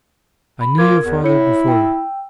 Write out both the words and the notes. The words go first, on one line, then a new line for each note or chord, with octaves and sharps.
I knew your father before you.
B5
F4 A#4 D6 G#6
E2
E4 C#5 C#7
G5 E6